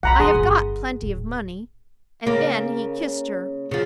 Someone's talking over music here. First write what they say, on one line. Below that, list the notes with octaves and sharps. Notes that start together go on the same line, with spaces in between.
I have got plenty of money.' And then he kissed her.
B1 F#5 A#5 B5
E3 G#4 C6 D#6
G1
D1
C#3 A#3
C#3 F3